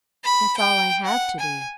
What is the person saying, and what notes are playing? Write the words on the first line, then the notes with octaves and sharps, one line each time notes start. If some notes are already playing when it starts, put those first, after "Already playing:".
That's all I have to do.'
B5
G5
F#5
G#5